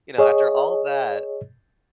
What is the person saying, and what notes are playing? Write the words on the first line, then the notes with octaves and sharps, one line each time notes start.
you know, "After all that,"
G#4 C#5 D#5